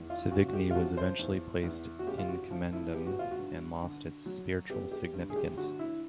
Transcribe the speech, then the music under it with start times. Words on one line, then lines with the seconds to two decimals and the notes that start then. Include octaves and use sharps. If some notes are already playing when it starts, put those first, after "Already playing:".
Savigny was eventually placed "in commendam" and lost its spiritual significance.
Already playing: E2
0.10 F4
0.31 C#3 F#4
0.48 F#4
0.53 G4
0.71 F4
0.75 F3 F#4
0.97 C5
1.19 E2
1.63 E2
1.99 F#4
2.07 C#3 G4
2.18 F4
2.29 F#4
2.51 F3
2.73 E4
2.94 B3 G4
3.07 F#4
3.19 F4
3.31 F#4
3.39 G2
3.82 D3
4.26 F#3
4.70 B3 G4
4.92 G4
5.13 G2
5.30 G#4
5.36 G4
5.58 D3 F#4
5.79 E4